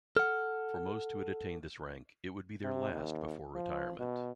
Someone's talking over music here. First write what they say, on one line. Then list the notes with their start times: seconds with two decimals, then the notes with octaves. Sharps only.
For most who had attained this rank, it would be their last before retirement.
0.16 A4 F#5 F6
2.64 C3
2.92 D#2
3.55 F3
3.99 B2